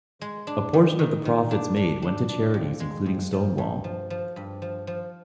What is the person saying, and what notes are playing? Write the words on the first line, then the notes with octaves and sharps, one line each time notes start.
A portion of the profits made went to charities including Stonewall.
G#3
D4
D#3
D#3
D#3
D4
D4
D4
D4
F2
G#3
F2
F3
G2
F3
F3
G2
F3
F3